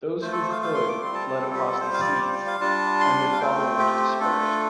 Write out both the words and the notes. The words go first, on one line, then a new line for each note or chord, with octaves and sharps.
Those who could fled across the seas, and their followers dispersed.
A3 F4 C5
A4
C5
F5
F5
C6
D6
G3 C4 F4 C6
A5
A5
A4
G4
A4
G3 F4 C5
F5
D5
C5
D5
F5
G3 D4 F4 A5
C6
F5
A3 C4 F4 G5
G4
C5
A3 D4 F4 A4